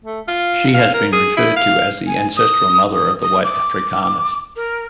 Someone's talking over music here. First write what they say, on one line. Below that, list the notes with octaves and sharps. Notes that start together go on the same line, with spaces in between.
She has been referred to as the ancestral mother of the white Afrikaners.
A3
F4
F5
A#4
G#4
E4
F5
G#5
D#6
D#6
D#6
D6
A#4